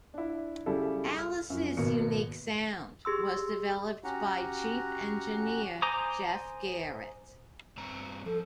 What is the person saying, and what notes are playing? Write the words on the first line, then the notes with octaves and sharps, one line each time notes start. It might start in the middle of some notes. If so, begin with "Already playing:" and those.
Alice's unique sound was developed by Chief Engineer Jeff Garrett.
D4 E4
C#3 G3 E4 A4
F6
F#2 F3
G#1 B2 A#3 C#7
G4 G#4 C6 E6
C#4 F#4 G4 F#5 A#5
C5 G#5 A#5 D6 D#6
G2 C4 A#5
F3 A4